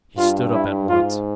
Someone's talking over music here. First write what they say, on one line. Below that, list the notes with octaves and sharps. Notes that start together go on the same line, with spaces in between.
He stood up at once.
G2 F4
E4
G#2 F4